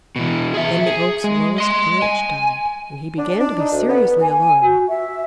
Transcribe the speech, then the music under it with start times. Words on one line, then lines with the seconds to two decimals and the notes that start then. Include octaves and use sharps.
Then the Oak's lowest branch died, and he began to be seriously alarmed.
0.16 B2 E3
0.54 G#4 E5
0.87 G#4
1.24 G#3
1.58 D#5 C6
2.02 G#5
3.18 D4
3.40 D4
3.60 D#4
3.72 D2
3.88 B3
4.22 G#5
4.62 F#4
4.88 E5